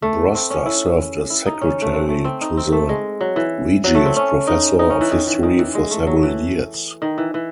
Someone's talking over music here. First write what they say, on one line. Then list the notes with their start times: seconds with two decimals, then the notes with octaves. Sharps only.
Broster served as secretary to the Regius Professor of History for several years.
0.02 A3
0.35 C4
0.50 C#4
0.66 E4
1.30 E4
1.46 D#4
1.61 C#4
1.82 A3
1.93 C4
2.09 A3
2.25 C4
2.41 D#4
2.57 C4
2.72 A3
2.89 G#3
3.21 F#3
3.36 E3
3.84 F#3
3.95 A3
4.06 C4
4.16 C#4
4.47 D#4
4.79 D#4
4.90 C#4
5.01 E3
5.11 D#3
5.27 E3
5.43 D#3
5.59 E3
5.75 G#3
5.91 A3
6.07 F#3
6.23 E3
7.02 D#3
7.18 E3
7.34 E3